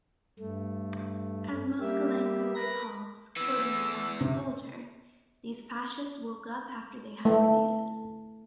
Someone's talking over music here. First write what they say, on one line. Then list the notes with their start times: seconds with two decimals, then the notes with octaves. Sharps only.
As Moskalenko recalls, quoting an anonymous soldier, "these fascists woke up after they hibernated".
0.39 G2 A3
1.80 G3 A#3 G4 E5
2.55 A#4 B4 B5 A#6
3.36 E2 E3 E6
4.21 C3
7.25 A3